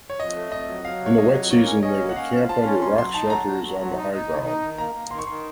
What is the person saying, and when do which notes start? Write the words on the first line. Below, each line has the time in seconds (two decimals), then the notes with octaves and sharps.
In the wet season, they would camp under rock shelters on the high ground.
0.10 C#5
0.19 F2 D#5
0.36 A3
0.52 F2 D#5
0.68 F#3
0.85 F#3 F5
1.01 C3
1.06 C#5
1.17 F#3 D#5
1.33 F2
1.50 A#3 C#5
1.66 C#4
1.83 C#4 D#5
1.99 A#3
2.09 F#5
2.16 C#4 F5
2.32 F3
2.49 F4 A5
2.65 C#4
2.82 A#3 C6
2.98 F#3 C6
3.14 D#4 A5
3.30 F#3 A#5
3.46 F#3
3.63 F#3
3.80 F#3
3.97 D#4
4.12 D#4
4.29 D#3
4.45 D#4
4.62 D#3
4.78 A#3 A#5
4.95 A#3
5.11 D#3 C6
5.19 C#6
5.27 D#3 C6